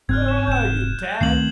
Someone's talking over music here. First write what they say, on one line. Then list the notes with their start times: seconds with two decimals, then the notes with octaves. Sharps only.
"Where are you, Tad?"
0.09 F#1 G#2 C4 F6 F#6 G#6
0.28 E7
0.47 F1 G6 E7
1.21 C#2 D#3 A3 C4 C7 F#7